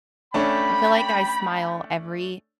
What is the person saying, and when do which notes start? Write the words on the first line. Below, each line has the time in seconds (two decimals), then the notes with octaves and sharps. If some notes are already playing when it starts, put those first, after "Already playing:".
I feel like I smile every
0.34 A3 C#4 D4 G5 B5